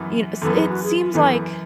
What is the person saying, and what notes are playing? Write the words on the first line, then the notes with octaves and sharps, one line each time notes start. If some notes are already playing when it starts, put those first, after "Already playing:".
y kn s it seems like,
Already playing: F#2 E3 B3
F#2 E3 B3 A4
G#4
F#4
G#4
F#2 E3 B3 A4